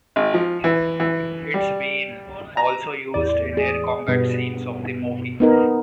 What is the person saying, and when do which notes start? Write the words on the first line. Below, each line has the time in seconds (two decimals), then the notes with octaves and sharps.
It's been also used in Air combat scenes of the movie.
0.16 G#1
0.34 F3
0.64 E3
1.00 E3
1.54 G3
2.57 A#5
3.14 E2 A2 D5
3.57 G#4
4.08 G2 B2 B3
5.40 B3 D#4 A#4